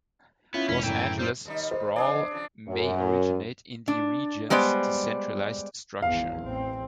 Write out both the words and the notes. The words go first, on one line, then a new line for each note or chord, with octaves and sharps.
Los Angeles' sprawl may originate in the region's decentralized structure.
B3 C#4 E4 F4 E5
E1 C#4 B6
F#2 A2 E3 G5
G3 C5
D#2 G3 D#4
C5
F2 D4 G#4 C#5 D5
C#3 F3
F#2
D4
G3 G#3 B3 C5 D5
G#1 E2 E3 F5
A1 C4